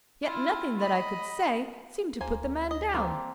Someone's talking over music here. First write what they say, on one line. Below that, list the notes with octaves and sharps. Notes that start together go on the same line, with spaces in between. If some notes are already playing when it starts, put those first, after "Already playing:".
Yet nothing that I could say seemed to put the man down.
E4 F4
D#5 B5
D2 A#3 C5 G#5
D#5
A#3 C4 D4